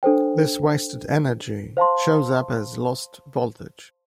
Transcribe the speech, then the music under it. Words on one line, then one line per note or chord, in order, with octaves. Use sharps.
This wasted energy shows up as lost voltage.
D4 A4 C5 G5
C5 F5 A5 C6